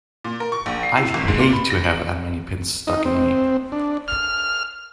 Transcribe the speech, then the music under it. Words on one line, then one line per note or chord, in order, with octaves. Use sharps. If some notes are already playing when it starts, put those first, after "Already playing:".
I'd hate to have that many pins stuck in me!
A#2
A#4
C#6
A#1
C7
E4
G#1
G#2
A#2
B5
A#6
F#7
D#4
C4
D4
F6